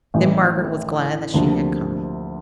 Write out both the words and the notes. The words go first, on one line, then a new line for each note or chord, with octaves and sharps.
Then Margaret was glad that she had come.
A1 A2 E3
D2 C3 F3 A#3 D4